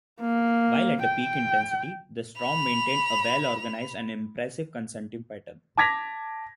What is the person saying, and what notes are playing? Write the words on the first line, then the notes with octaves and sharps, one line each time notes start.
While at peak intensity, the storm maintained a well-organized and "impressive" convective pattern.
A#3
G5
B5 F7
A5 D6 G#6 A#6 B6 F7